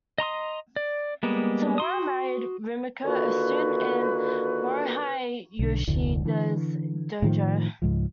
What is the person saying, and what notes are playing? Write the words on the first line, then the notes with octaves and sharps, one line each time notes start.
Tamura married Rumiko, a student in Morihei Ueshiba's dojo.
D#5 A#5 C6 D#6
D5
G3 G#3 A#3 B3
F#4 C6 D#6
D3 D#3 A#3 F4 F#4 B4
B1 D3
F1 D2 A2
D3 E3
A2 D#3 F3
C#2 G#2 F3